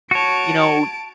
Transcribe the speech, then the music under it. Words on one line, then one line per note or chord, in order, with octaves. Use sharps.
you know,
F#4 C#5 A5 D7